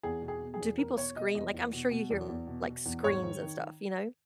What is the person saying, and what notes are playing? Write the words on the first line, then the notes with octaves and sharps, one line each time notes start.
do people scream? Like, I'm sure you hear, like, screams and stuff, you know?
E2 G#4
B2
G#4
B2
G#4
E2
E2 A#4
B2 C#5
B2 D#5
E2 D#5
E2
B2
B2
E2
E2
B2
B2
E2
G#2 C#5
D#3
D#3